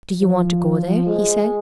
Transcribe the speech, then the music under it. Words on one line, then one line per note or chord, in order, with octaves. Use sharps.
"Do you want to go there?" he said.
F3
G#3